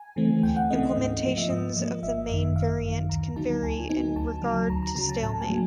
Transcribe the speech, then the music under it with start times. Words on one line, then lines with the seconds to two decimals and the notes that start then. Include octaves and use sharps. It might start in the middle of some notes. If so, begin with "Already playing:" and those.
Implementations of the main variant can vary in regard to stalemate.
Already playing: G#5
0.16 C#3 E3 A3 C4
0.43 D2 G5
0.56 F#5
0.70 C#3 E3 A3 C4 D#5
0.83 D#5
0.96 G#2
1.23 F3 A#3
1.38 E5
1.50 G#2 D#5
1.77 F3 A#3 D#5
2.03 G#1 E5
2.29 F#2 D#3 E5
2.56 G#1 F5
2.82 F#2 D#3
3.10 D2 A#5
3.36 D3 F#3 B3 D#4 A5
3.63 D2 G#5
3.89 D3 F#3 B3 D#4 G#5
4.16 D2 A5
4.43 C#3 F#3
4.69 D2 A#5
4.83 A#5
4.96 C#3 F#3 A#5
5.09 A5
5.23 A2 A5
5.41 G#5
5.49 F#3 A#3 D4